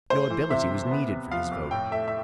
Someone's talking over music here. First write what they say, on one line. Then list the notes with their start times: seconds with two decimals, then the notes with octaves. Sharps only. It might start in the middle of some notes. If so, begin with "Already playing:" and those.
No ability was needed for his vote.
0.10 A3 C5
0.30 E3
0.50 C3 E5
0.70 C3
0.91 B3
1.11 C3
1.31 F3 F5
1.51 F2
1.71 A2 G5
1.91 A3 E5
2.08 E5